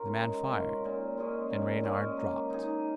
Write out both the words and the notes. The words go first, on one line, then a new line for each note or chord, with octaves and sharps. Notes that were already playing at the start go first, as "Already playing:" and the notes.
The man fired, and Reynard dropped.
Already playing: C#4 F4 A#4
G#3
C#4 F4 A#4
A#2
G#3 C#4 G#4
A#2
G#3 C#4 G#4
A#3
D#4 G#4